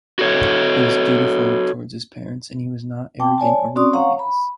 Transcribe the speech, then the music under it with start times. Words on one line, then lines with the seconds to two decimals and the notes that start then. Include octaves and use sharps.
He was dutiful towards his parents and he was not arrogant or rebellious.
0.19 F#4 A4 C#5
3.20 C4 G5 A5 D6
3.38 C#5 D5 G#5 A5
3.76 C4 C#4 F#4 D5 C6 D#6
3.93 C#5 F5 F#5 A#5 C#6
4.19 B5